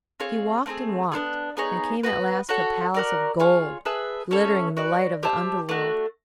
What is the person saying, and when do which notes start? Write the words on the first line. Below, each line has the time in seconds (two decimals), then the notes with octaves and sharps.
He walked and walked, and came at last to a palace of gold, glittering in the light of the underworld.
0.20 C4 F4 G#4 C#5
0.66 A3 C4 D#4 G#4
1.12 B3 D4 F4 G#4
1.57 B3 D#4 G#4 C#5
2.03 B3 D4 F#4 B4
2.49 F#4 A4 C#5 F#5
2.94 F#4 A#4 D5
3.40 F4 G#4 C#5
3.85 G#4 B4 E5 A5
4.31 C#4 E4 A4 C#5
4.77 F#4 B4 D5
5.23 G4 C5 E5 A5
5.69 A3 D4 F#4